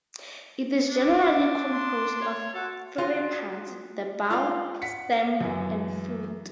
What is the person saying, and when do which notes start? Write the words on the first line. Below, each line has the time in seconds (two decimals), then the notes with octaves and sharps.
It is generally composed of three parts: the bowl, stem, and foot.
0.87 D4
1.72 C6
2.21 C#5
2.53 F#4 A4
2.98 F4 F#4 G#4 F5
4.30 F4 D5 F5
4.82 F#5 B6 C#7
5.41 F#2 E3